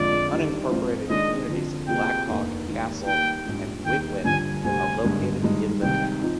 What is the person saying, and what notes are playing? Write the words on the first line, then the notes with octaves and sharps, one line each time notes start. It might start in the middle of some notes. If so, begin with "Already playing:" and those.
The unincorporated communities of Black Hawk, Cassell, and Witwen are located in the town.
Already playing: F2 D3 G#3 D4 F4 D5
D#3 G3 D4
G#2 F3 C4 F4
D#3 G#3 D4 G#4 D5 D#5
D3 F3 C4
C3 F3 A#3 F4 G#4 G5
F1 D#2 D#3 A#3 D4
G#2 D#3 G3 A#3
D#3 G3 A#3 G5
A#1 G#2 G3
D#2 D#3 G3 G5
G2 D3 F3 G#5
D2 C3 G3 C4 G#5
G#1 G2 D3 G#3
G2 D#3 G#3 D#4
C2 C3 D#3 G#3 G5
F3 C4 D#4